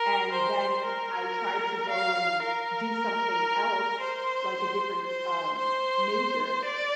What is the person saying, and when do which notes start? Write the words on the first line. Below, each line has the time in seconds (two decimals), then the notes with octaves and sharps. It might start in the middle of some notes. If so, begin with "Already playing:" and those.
And then I tried to go and do something else, like a different, um, major,
Already playing: A#4
0.32 C5
0.85 A#4
1.89 F5
2.43 A#4
4.01 C5
5.06 C5
5.59 C5
6.65 D5